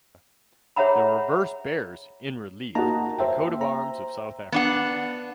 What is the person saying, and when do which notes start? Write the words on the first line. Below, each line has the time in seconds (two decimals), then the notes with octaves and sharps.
The reverse bears, in relief, the Coat of arms of South Africa.
0.76 G#4 C#5 E5 F#5 A#5 B5
2.75 A#3 D#4 F#4 D#5 A5 A#5
3.18 C5 E5 G5
3.61 A#5
4.52 B3 D4 F#5